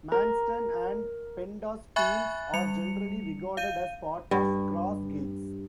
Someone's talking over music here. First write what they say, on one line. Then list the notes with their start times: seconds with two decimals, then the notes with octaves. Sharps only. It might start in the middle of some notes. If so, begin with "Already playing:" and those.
Manston and Pendas Fields are generally regarded as part of Cross Gates.
0.12 A#4
1.96 E5 G#5 B5 C#6 F#6 A6
2.54 G3 C#7 F7
3.57 F5 G6 D#7
4.31 G2